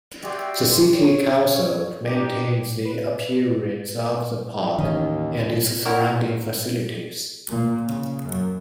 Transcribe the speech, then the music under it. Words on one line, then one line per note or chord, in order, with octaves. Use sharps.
The City Council maintains the appearance of the Park, and its surrounding facilities.
F#4 G4 D5 E5 G5 C6
C#5
C4 D4 D#4 G4
B4
D#2 A2 D#3 E3 C#4 D#5
C4 E4 F#4 A#4
A#2
C#3
F#2